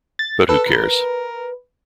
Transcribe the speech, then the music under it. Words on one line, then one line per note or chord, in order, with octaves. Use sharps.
But who cares?
A6
A4 B4
A#4